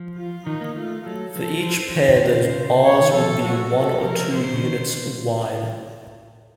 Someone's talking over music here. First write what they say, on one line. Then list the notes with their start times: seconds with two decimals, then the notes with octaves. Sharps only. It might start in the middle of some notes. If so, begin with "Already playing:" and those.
For each pair those bars would be one or two units wide.
Already playing: F3
0.16 F4
0.47 D#3 D#4
0.61 A#3
0.76 A3 F4
1.06 F#3 A4
1.36 F3 A4
1.66 C5
1.95 D#3
2.25 C#3
2.84 C#3 C#5
3.01 D#3
3.14 F3 A4
3.44 F#3 F#4
3.53 A3
3.60 F#3
3.75 A4
4.04 F3 A#4
4.34 F3 C5
4.43 C#3
4.54 C#3
4.63 D#3